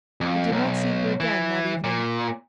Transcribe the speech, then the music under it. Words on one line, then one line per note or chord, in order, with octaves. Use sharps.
They did not see her again that evening.
F2
B1
E3
A#2